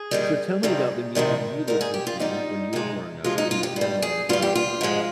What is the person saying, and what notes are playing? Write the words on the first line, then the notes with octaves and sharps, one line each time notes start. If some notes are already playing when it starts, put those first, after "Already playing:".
so, so tell me about the music you listened to when you were growing up and that your mom did not like.
Already playing: G#4
D#2 D#3 G3
F2 C3 D#3 G3
F2 C3 D#3 G3
G#2 G3 A#4
G#4
G4
F4
G#2 G3 D#4
F2 C3 F3 G#3
F2 C3 F3 G#3 F4
D#4
F4
G4
G2
G3
G#4
G2 G3 F4
G4
F4
G#2 F3 G#3